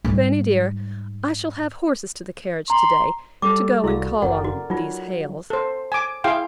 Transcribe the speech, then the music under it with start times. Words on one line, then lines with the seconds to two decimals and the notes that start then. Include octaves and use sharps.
'Fanny dear I shall have horses to the carriage to-day, to go and call on these Hales.
0.04 G#2 G3
2.70 A#5 C6
3.42 F#3 G3 C#4 A4 D6
3.84 C2 E4 F#4 D5 F5
4.22 F#1 C#3 A#4 D5 F#5
4.44 F#4 A#4
4.70 F#3 D#4 F4
5.50 A4 C5
5.92 G#5 D6
6.24 E4 G#4 F5 G5 C6